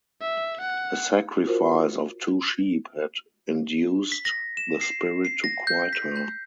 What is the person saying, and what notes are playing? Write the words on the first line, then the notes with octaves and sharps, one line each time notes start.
A sacrifice of two sheep had induced the spirit to quit her.
E5
F#5
F4 F#4 A#4 C5
B6
A#6
E7
C7
C7
A#6
G6
B6
G6